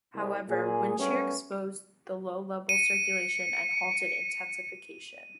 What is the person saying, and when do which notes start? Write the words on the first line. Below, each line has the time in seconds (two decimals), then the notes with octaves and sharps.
However, wind shear exposed the low-level circulation and halted intensification.
0.15 C2
0.48 A#2 G#4
0.97 F#2 G3 A3 B3 C#4
2.69 C#7 D#7